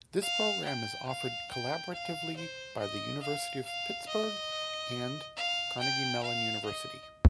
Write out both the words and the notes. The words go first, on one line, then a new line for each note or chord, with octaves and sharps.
This program is offered collaboratively by the University of Pittsburgh and Carnegie Mellon University.
F5
G5
F5
G5
F5
C5
D#5
F5
F5
D#5
F5
G5
F5
D#5